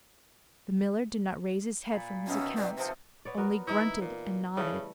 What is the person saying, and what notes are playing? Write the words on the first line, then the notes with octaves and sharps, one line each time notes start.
The miller did not raise his head from his accounts; only grunted and nodded.
A#2 B5
B2 D#3 C#4 E5
C4 D5
C3 F3 A4 C5
B3 C#5 D5
B3 F#4 A#4
E3 D#4 E4
A#2
C#3 E3 G3 A3